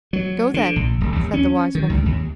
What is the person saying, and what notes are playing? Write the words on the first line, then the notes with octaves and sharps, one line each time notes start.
"Go, then," said the wise woman.
F#3
D3
A#1
D1
D#2
C#4
D#3
C#2
D#2